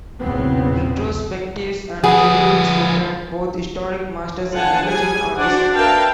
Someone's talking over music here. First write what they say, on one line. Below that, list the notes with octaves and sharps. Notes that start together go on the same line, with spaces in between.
Retrospectives and tributes look at both historic masters, and emerging artists.
B1 E2 A#2 C#3 B3 C4
F3 G#4 B4 F#5 G#5 D#6
D3 F4 F#5 G#5 A5
G3 G#4 G#5
D4 F#4 C5 D5 F#5
A#4 B4 E5 F5 G5 A5